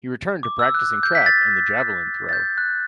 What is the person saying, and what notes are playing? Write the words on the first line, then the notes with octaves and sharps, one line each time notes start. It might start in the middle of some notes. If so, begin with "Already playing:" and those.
He returned to practicing track and the javelin throw.
D6
E6
F#6
G6
B6
A6
A6
G6
F#6